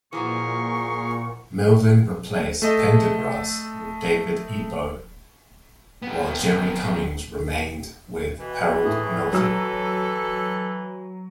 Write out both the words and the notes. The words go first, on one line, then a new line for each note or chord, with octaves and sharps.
Melvin replaced Pendergrass with David Ebo while Jerry Cummings remained with Harold Melvin.
A#2 E3 F3 F#4 G#4 A#4 C#6
A3 A4 D#5
G3 B3
B2 E3
A2 G#4
F#3 A4 E6